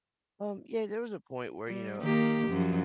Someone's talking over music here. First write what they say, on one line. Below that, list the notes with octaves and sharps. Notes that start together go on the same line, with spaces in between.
Um, yeah, there was a point where, y you know,
G3
D#3 A#3 G4
F#2 F3